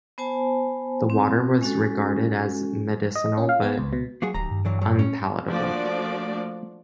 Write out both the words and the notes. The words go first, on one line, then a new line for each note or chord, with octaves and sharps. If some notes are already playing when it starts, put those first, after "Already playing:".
The water was regarded as medicinal but unpalatable.
B3 C5 G#5 A5
C4
G#3 C#4 F#4 A4
D#5
C#4
F5
B3
C#2
B2
F#3 A#3 F#4 G#4
D1 D#2 A#5
G2
D3 E3 F#3
F#3
C#4
F3 A3 A#3 D4 F#4 D5